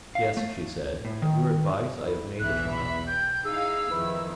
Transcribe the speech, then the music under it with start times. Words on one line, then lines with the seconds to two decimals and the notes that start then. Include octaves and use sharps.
"Yes," she said, "at your advice I have made the trial."
0.15 F5
0.37 A3
1.05 A2
1.22 D#3
2.06 E4
2.40 B1 E2 E3 E5 F#6
2.72 B5
3.07 G5 G6
3.45 D#4 E4 G#4 F5 E6
3.91 F2 D#3 E4 B4